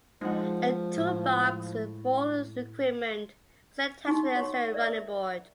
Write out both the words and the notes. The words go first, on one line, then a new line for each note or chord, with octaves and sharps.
A toolbox with full equipment was attached to the exterior running board.
F3 G#3 D#4 F#5
A2
D#4 F#4 C#6
F#4 C#5 F#5 C#6
A#4 D5 E5